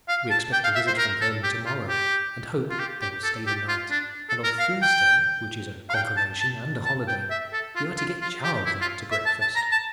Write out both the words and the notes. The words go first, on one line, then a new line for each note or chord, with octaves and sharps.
We expect a visit from them to-morrow, and hope they will stay the night; and on Thursday, which is a confirmation and a holiday, we are to get Charles out to breakfast.
F5
A5
G5
F5
E5
C5
A#4
A4
G4
F4
G4
F4
G4
G4
A4
G4
F4
D4
A4
A#4
F5
G5
F5
G5
A5
A5
A5
G5
E5
A4
F4
F4
F4
G4
E4
F4
E5
A5
A5
A#5
A5